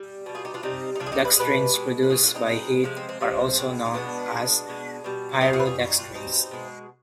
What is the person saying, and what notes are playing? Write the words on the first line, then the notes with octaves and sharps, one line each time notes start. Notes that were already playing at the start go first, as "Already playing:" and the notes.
Dextrins produced by heat are also known as pyrodextrins.
Already playing: G3
B2 G3
F4 G#4
D#4 G4
D4 F4
C3 G3 C4 D#4
D#4
C3 G3 D4 F4
G#4
D#4 G4
B4
G#4
B2 G#3 G4 B4
B2 G#3
B4
B2 G#3 F4 G#4
D4 F4
C4 D#4
B2 G#3 C4 D#4
C3 F3 G#3
C4
C4
C3 F3 G#3 C4
B2 G#3
D#4
B2 G#3 B3 D4
B2 G#3
B2 G#3
B2 G3
B2 G3 C4 D#4
F4 G#4
B4
F4 G#4
B2 G3 F4
D#4
D4 F4
B2 G3 C4 D#4
B2 G#3